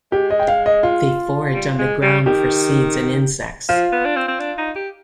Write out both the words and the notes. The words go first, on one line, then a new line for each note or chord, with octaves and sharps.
They forage on the ground for seeds and insects.
G#3 G4
D#5
G5
F5
D#5
F4
G3
G#3
G3
D#3 G4
F3 F4
B3
D4
C4
C4
D4
D#4
G4